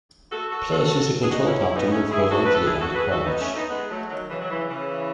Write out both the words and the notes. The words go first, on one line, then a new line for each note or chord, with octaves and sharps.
Players use the control pad to move horizontally and to crouch.
F#4 A4
F#4 A4
F#4 A4
G#4
D#4 F#4
C#4 E4
C#4 E4
B3 D#4
A3 C#4
E4 G#4
F#4 A4
B4
A4
E4 G#4
F#4 A4
G#4 B4
F#4 A4
B3 D#4
A3 C#4
B3 D#4
G#3 B3
F#3 A3
D#3 F#3
C#3 E3
F#3
C#3 E3
C#3 E3